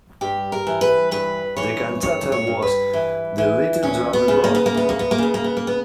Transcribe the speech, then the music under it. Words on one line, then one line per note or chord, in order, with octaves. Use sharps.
The cantata was "The Little Drummer Boy".
G2 G4
A#4
E3
B4
G2 B4
E3 C#5
G2 C#5
C#5
G2
B4
E3
E3
D2 C#4
B3
C#3
A#3
B3
A#3
D2 B3
A#3
B3
A#3
C#3 B3
A#3
B3
A#3
B3